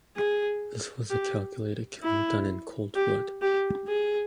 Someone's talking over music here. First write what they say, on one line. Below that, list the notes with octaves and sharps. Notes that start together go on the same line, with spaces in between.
This was a calculated killing done in cold blood.
G#4
G4
E4
G4
G4
G#4